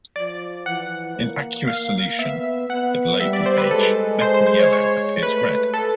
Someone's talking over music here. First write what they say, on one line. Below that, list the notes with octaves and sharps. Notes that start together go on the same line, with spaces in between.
In aqueous solution at low pH, methyl yellow appears red.
F3 D5
E3 F#5
A#3
A#3 F5
B3 E5
B3 F#5
G3 E5
D5
C5
B4
G#3 A4
C5
C5
C5
C#5
C#5
A3 B4
A4